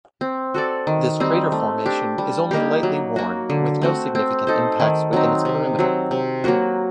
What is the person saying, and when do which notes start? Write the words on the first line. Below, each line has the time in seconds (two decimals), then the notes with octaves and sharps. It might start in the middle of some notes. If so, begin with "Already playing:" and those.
This crater formation is only lightly worn, with no significant impacts within its perimeter.
0.21 C4
0.54 F#4 A4 D5
0.87 D#3
1.20 G3 C4 D#4
1.52 A3
1.86 D4 G4
2.18 G3
2.51 A#3 D#4 G4
2.83 F#3
3.16 A#3 F#4
3.50 D3
3.81 A3 C4 F#4
4.15 C4
4.47 D#4 A4 C5
4.80 D#3
5.13 F#3 C4 D#4
5.45 C3
5.79 F#3 C4
6.11 C3
6.44 F#3 A#3 F#4